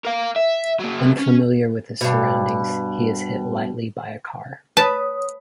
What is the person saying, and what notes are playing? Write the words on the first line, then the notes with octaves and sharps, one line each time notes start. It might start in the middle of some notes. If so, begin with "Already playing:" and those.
Unfamiliar with his surroundings, he is hit lightly by a car.
A#4 F5
E5
F#3 A#3
C#4
G2 B2
B4 C#5 A5 D#6